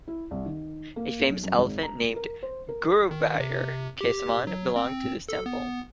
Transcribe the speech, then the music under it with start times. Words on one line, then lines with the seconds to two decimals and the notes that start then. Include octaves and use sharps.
A famous elephant, named Guruvayur Kesavan, belonged to this temple.
0.08 E4
0.31 C2
0.46 D#3
0.96 A#3
1.29 B1
1.43 F#2
1.58 G#1
1.83 A#5
2.16 A#4
2.43 C5
2.69 A#4
3.11 D#3
3.40 C3
4.01 G4
4.47 F#3
4.76 C4
5.29 A4
5.46 B3